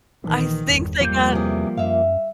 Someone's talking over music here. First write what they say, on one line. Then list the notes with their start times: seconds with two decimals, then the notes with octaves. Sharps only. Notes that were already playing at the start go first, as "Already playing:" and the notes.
I think they got
0.24 A#1 D#3 E3
0.69 G1 E2
1.01 F3 G3 A#3 G6
1.32 C3 E3 G#4
1.77 F#2 E5 F5